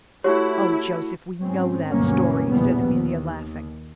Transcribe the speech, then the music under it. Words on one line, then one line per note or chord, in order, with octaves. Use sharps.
"O Joseph, we know that story," said Amelia, laughing.
A3 E4 F#4 G4 C#5 C#6
G#2 C4 C#4
D2 G2 B2 F#3 A#3 C#4
A#1 E2 C#3 G3 B3
D#2